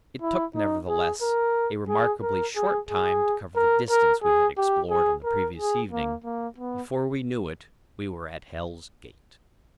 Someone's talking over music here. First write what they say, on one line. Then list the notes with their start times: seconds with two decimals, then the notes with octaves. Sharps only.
It took, nevertheless, a remarkably short time to cover the distance we had explored on the previous evening; before we knew it, we were at Hell's Gate.
0.22 E4
0.55 D#4
0.88 G#4
1.22 A#4
1.89 G#4
2.22 A#4
2.56 G#4
2.90 G#4
3.56 A#4
3.90 A#4
4.23 G#4
4.57 G4
4.90 G#4
5.24 A#4
5.57 G#4
5.91 A#3
6.24 A#3
6.58 B3